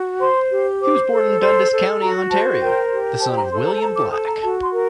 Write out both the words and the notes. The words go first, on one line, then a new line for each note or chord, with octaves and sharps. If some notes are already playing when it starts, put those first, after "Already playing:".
He was born in Dundas County, Ontario, the son of William Black.
Already playing: F#4
C5 C6
G4
C5 D6
A4
C5 C6
A4
F#4 A#5
C5 A5
A#4 G5
G4
C5 A5
A#5
A4 C6
A#5
A5
C5 A#5
D6
A4 D#6
A#5
F#4 A5
C6
A#4